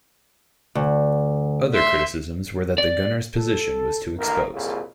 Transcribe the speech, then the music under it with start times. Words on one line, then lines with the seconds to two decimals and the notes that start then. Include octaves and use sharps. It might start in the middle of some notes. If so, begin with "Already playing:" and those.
Other criticisms were that the gunner's position was too exposed.
0.75 D2
1.73 E5 C6
2.78 D5
3.36 A4
4.18 A1 D3 D#3 A#3 A#4
4.53 C2 F2 A#2 C#3